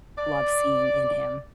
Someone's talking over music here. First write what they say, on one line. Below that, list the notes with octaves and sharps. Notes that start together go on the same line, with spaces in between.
love seeing in him.
D5